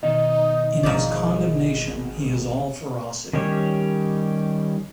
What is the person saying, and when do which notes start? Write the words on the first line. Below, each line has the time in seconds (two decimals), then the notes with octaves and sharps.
In his condemnation he is all ferocity.
0.03 B2 D#3 D#4 D#5
0.83 G#1 G#2 F3 D5
3.33 D#3 G3 C#4 G4 C#5